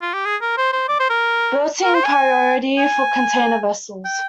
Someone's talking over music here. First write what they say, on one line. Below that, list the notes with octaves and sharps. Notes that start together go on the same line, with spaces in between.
Berthing priority for container vessels.
F4
G4
G#4
A#4
C5
C5
D5
C5
A#4
A#4
C5
G#5
G#5
G5